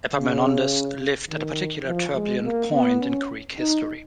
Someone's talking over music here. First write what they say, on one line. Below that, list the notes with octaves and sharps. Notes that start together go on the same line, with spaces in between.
Epaminondas lived at a particularly turbulent point in Greek history.
C#3
D#3
F3
G#3
A#3
B3
C#4
D#4